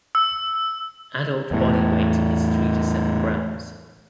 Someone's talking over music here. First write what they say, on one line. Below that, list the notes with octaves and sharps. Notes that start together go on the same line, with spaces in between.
Adult body weight is three to seven grams.
E6
E2 A2